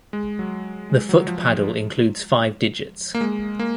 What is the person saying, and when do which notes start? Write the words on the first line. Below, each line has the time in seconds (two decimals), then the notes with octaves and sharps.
The foot paddle includes five digits.
0.13 G#3
0.39 F#3
0.90 G#3
1.09 F#3
1.28 F3
3.15 A#3
3.21 G#3
3.59 A#3